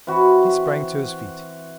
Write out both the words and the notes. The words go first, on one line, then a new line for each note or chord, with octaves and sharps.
He sprang to his feet.
E3 C4 F#4